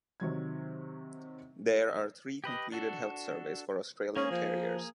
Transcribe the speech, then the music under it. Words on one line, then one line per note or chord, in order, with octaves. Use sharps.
There are three completed health surveys for Australian Terriers.
C3 D#3 F#3 G#6
G4 B4 D#5
D4 F#4 A4
A#3 C#4 G#4
F3